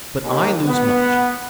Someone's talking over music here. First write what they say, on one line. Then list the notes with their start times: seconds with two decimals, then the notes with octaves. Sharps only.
But I lose much.
0.22 D#2
0.67 B3